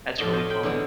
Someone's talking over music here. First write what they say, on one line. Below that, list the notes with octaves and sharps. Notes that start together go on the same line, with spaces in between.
That's really fun.
F2 A2 F#4 D5 D#5 A5
F#4 C5 C#5 D#5 F5
F5 G5 B5
D3 E3 F#3 G#3 B3 C#4